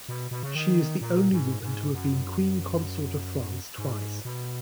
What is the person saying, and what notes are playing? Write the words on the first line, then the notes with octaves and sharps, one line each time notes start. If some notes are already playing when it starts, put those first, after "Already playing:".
She is the only woman to have been queen consort of France twice.
B2
B2
C#3
D#3
A#2
G#2
G#2
F#2
G#2
B2